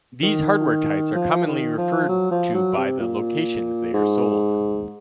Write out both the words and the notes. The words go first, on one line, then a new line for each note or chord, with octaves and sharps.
These hardware types are commonly referred to by the locations they are sold.
D#3
F3
D#3
F3
F#3
F3
F#3
C3
A#2
G#2